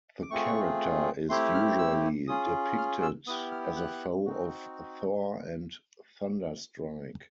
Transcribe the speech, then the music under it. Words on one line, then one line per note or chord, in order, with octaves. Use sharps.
The character is usually depicted as a foe of Thor and Thunderstrike.
D6
A3 C4 F4 G#4 C#6
A3 C4 E4 G4 C6
F6
E6
C#4 F4 G#4 D#6
F6
E6
B3 E4 G4 D#6
F6
F#6
C4 D#4 F#4